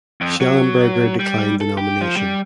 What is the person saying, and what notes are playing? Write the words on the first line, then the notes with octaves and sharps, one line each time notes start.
Shellenberger declined the nomination.
F2
F#3
G3
A4
G4
F3
G3